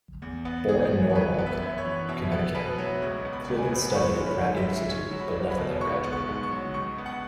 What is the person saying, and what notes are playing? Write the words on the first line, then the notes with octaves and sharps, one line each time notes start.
Born in Norwalk, Connecticut, Kliban studied at Pratt Institute but left without graduating.
E2
B3
E2 G#4
E3
C#5
F#2 B4
B3
E5
F#2
C#5
E3
B2 E5
B3
B2 B4
F#3
C#2 C#5
B3
B5
C#2
G#5
B5
B2
B5
G#2 C#6
C#4
B5
G#2
E5
G#3
C#4 C#5
F#3
B5
C#2
B5
B2
G#2 C#6
B3
C#6
G#2
C#6
F#3
C#2 C#6
B3
F#5